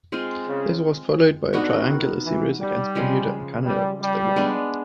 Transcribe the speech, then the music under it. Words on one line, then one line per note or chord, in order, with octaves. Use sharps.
This was followed by a triangular series against Bermuda and Canada, which they won.
G#3 C4 F4
C#3
D3 B3 D#4 F#4 A#4
D#3
E3
G3
C#3 F3 G#3
G3
G3
G#3 B3 D4